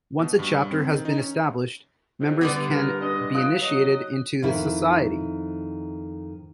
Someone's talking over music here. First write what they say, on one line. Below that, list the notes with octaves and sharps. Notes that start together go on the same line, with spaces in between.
Once a chapter has been established, members can be initiated into the society.
B2
G2
C4
D#3
D#4
C#4
F2 C3
G2 D3 G3 B3 D4 D5
G#2 F3 A#4
G#3 D4 D#5
F4 D#6 F#6 D7
F#3 D#5
F2 D#3 E4